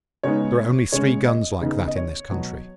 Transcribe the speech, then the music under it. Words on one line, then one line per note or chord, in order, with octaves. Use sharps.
There are only three guns like that in this country.
C#3 G#3 B3 D#4 C#5
C#3 G#3 C#4 C#5
D#5
C#3 B3 D#4
D#5
C#5
B2 F#3 B3